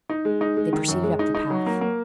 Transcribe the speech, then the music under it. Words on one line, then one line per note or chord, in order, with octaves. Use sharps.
They proceeded up the path.
D#4
G#3
D#4
G#3
D#3
F#2
G#3
D#4
D#4
F#3
A#3
A#3